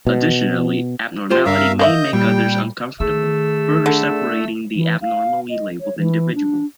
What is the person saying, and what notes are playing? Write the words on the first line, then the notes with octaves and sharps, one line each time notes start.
Additionally, abnormality may make others uncomfortable, further separating the abnormally labelled individual.
B2
F4 G4 C5
G2 A#4 E5 F5
A#3 C5 D#5 E5 G6
A#2 G3 G5
D#3 A3 G#4 E6
D3
E3
F5
D#5
C#5
E3
D4